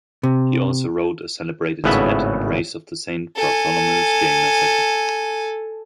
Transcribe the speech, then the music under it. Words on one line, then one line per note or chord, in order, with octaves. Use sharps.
He also wrote a celebrated sonnet in praise of the Saint Bartholomew's Day Massacre.
C3
G#1 A2 C#3 B3 B4 E5
A4 G#5